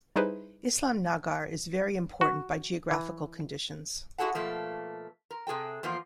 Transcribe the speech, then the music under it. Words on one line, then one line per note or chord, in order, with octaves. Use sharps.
Islamnagar is very important by geographical conditions.
G3 D#4 E4 G#4 B4 C5
F#4
E3
E4 F#4 G#4 A4 F#5
B2 F3 A3 A#3
A#4
C3 G#4 A4 G5
E2 F3 A#3 F4